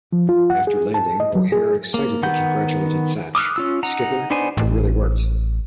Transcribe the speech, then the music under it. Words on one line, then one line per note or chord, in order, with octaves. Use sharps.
After landing, O'Hare excitedly congratulated Thach: Skipper, it really worked.
F3
F4
F#5
G#4
A5
D#5
F#3
G#4
A#3
D#3 B3 F#5 G6
D6 D#6 F6 F#6
C#4 F4 E6
D#4 F#5 A#5
B3 D4 D#4 C5 G#5
A1